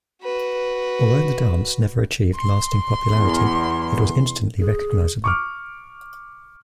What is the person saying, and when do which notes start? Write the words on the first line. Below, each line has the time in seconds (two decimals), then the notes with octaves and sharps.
Although the dance never achieved lasting popularity, it was instantly recognizable.
0.23 F#4 B4
2.36 C6
3.12 E2
4.59 G#4
5.24 C#6 D6 F6